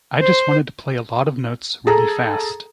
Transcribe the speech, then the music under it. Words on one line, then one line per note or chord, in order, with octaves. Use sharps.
I just wanted to play a lot of notes really fast.
C5
G#4 A4 A#5